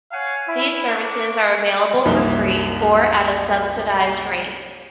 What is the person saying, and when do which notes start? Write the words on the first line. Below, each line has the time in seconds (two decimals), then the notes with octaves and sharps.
These services are available for free or at a subsidised rate.
0.12 C#5 F5 F#5 G#5
0.47 E4
0.90 A#3 D4 C#6 D6
2.05 C2 F#2 A#3 D#4 E5 G7